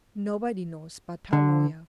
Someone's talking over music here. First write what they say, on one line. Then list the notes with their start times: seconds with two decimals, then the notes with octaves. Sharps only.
"Nobody knows but her lawyer."
1.33 D3